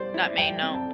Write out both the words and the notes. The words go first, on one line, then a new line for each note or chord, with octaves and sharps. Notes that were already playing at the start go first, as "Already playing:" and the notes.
Not me, no,
Already playing: G3 C5 D5
E4
G3 G5
C4
A5